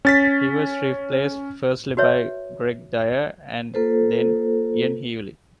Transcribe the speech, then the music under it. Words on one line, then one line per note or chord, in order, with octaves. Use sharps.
He was replaced firstly by Greg Dyer and then Ian Healy.
C#4 A6 B6
F#4 B4 C#5 E5
A#3 F4 A4 B4 C5